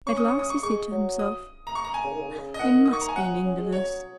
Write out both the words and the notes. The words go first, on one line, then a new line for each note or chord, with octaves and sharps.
At last he said to himself: "There must be an end of this."
C#4 C#6
D#6
C#6
D#6
C#6
G#3 C#6
F#3
D#6
A#5
C#6
A#5
G#5
C#3
D#3
C#3
D#3
C#3
D#5
A#2 F#5
D#3
D#3 D#6
C#6
A#5
G#5
F#3 F#5
C#4
G#3
F#3 C#5